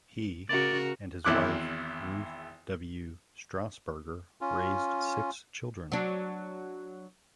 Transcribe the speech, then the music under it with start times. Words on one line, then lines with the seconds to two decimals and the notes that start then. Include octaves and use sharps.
He and his wife, Ruth W. Strassburger, raised six children.
0.49 C#3 F#4 A#4 D5
1.25 G#1 E2 E4 D6 F#6
4.41 C#4 F4
5.92 F#3 D4